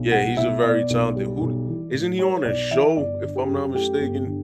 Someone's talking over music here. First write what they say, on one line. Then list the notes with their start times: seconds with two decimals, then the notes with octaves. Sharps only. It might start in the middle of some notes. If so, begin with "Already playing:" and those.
Yeah, he's a very talented who d Isn't he on a show, if I'm not mistaken?
Already playing: B1
0.12 G3 F#5
0.37 B2 E5
0.63 B3 D5
0.90 B1
1.16 G3
1.41 B1
1.68 E3
1.93 A2
2.19 G3 C#5
2.45 B1 D5
2.71 E3 E5
2.96 G1 D5
3.23 D3
3.35 G4
3.49 F#2
3.74 A3 G4
4.00 G1
4.26 D3